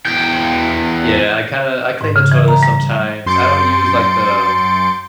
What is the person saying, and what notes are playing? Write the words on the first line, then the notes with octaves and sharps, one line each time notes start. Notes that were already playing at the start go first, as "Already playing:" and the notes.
Yeah, I kinda I clean the toilet sometimes. I don't use like the
E2 G5
G#2
C#3
E3
A#5
G3
F#2 C6 G6 A6 C#7 D7